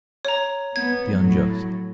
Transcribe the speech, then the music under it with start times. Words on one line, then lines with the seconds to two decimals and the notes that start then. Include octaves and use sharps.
The unjust?
0.25 C#5 A#5
0.76 B3 G#6
1.14 A2 F#3